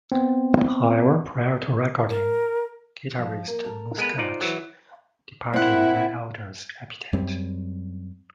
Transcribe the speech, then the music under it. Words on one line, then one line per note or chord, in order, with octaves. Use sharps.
However, prior to recording, guitarist Muscat departed Adler's Appetite.
B3 C4
A#4
F3
A#3
A4 A#4
G#3 B3 B4
D#4 F4 C5 D5
E3 F#3
A#2 C4 E4 F#5
F#2 G3 C4